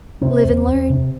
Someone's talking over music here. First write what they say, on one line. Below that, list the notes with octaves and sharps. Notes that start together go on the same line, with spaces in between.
Live and learn.
C3 C4
E2
E2
C3